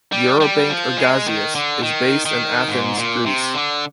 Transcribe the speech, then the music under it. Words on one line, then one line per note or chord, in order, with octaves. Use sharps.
Eurobank Ergasias is based in Athens, Greece.
G3
G3
F3
G#3
D#3
D3
D#3
D#3
G#2
A#2
C3
D3